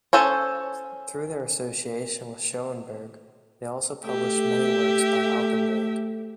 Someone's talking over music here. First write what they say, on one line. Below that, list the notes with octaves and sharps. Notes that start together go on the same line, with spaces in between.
Through their association with Schoenberg, they also published many works by Alban Berg.
C#4 A4 C5 C#5
A3 G4 E5